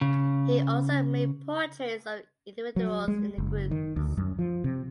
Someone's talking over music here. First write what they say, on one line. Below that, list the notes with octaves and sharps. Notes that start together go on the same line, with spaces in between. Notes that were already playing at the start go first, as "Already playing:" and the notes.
He also made portraits of individuals in the groups.
C#3
F#3
G#3
F#1
D#3
D2
F#2
F3
C3